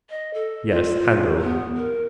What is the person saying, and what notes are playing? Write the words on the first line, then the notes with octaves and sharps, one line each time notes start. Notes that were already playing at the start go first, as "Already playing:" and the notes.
Yes. Handel.
D#5
A4
F4
B3
A#4